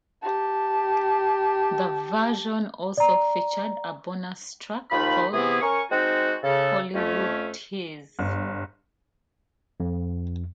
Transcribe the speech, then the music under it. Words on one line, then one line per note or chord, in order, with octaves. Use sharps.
This version also featured a bonus track called "Hollywood Teaze".
G4 A5
D5 A#5
D#2 F3 D#4 B5
C3 E3 B3 E4 G#4
C#4 A#4 G#5 C#6
G#3 C4 D#4 F#4
C#3 A4
F2 A3 C#4
G1
F2